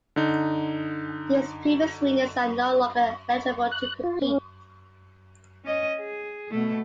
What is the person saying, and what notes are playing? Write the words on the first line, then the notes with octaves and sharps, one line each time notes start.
These previous winners are no longer eligible to compete.
D3 D#4
F#6
F4
C#4
C#4 D#5
G#4
B2 A3